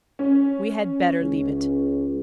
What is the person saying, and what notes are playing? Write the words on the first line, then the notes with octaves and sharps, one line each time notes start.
We had better leave it.
C#4
C#2